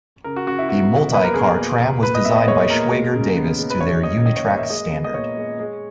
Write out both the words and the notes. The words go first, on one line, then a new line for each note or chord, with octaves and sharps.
The multi-car tram was designed by Schwager-Davis to their UniTrak standard.
C#3 A#4
F#4
C#3 F#4
E4
B3 F#4
B3
A#3 B4
A#4
B2 G#4
A#4
A#3
E2
A#2 B4
D#5
B3 E5
D#5
G#3 C#5
A#2 A#4
G#3
C#3
B3
G#3
B4
F#2 C#5
A#3 D#5
D#3 D#5
C#5
A#3 C#5
E5
G#3 D#5
B3
D#5
A#2 C#5
G#3
G#3